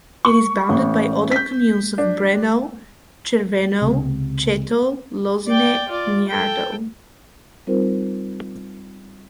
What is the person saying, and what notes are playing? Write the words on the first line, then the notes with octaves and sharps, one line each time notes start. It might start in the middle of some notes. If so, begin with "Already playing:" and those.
It is bounded by other communes of Breno, Cerveno, Ceto, Losine, Niardo.
C#6
A1
G6 B6
D4
C#2 C3
D5 G5
F4 D5
A4 G5
G3 C4 D#4 F4 A#4 C5